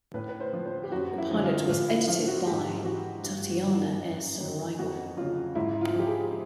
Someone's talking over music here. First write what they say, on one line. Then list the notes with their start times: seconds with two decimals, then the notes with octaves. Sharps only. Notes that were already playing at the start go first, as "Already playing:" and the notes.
The pilot was edited by Tatiana S. Riegel.
0.14 A2 B4
0.29 B4
0.40 C5
0.53 F3
0.66 C5
0.83 G4
0.92 F#2 F#4
1.18 E4
1.31 D3 F3
1.44 F4
1.69 A2 F4
1.88 E4
2.08 F3 F4
2.27 F#4
2.46 G#2 G4
2.85 E3 F#4
3.24 G2
3.63 D#3 F#3
4.01 F#2
4.40 D#3 F#3
4.79 F2 F#4
5.17 C#3 F#3 F4
5.55 G#2 E4
5.81 F4
5.95 F3 G4
6.07 G#4